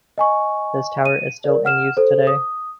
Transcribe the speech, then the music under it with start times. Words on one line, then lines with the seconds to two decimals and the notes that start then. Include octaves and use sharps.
This tower is still in use today.
0.18 D#5 G#5 C#6
1.06 D#7
1.44 A#4 D5
1.65 F#5 F6 E7
1.97 A4 C5
2.27 D#6